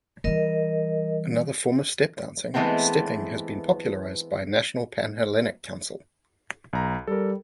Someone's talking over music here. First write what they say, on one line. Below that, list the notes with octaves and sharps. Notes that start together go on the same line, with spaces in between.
Another form of step dancing, Stepping, has been popularized by National Pan-Hellenic Council.
E3 G3 A#4 D#5
E3 G#3 A3 B3 C4
B1 A#5
G3 A4 A#4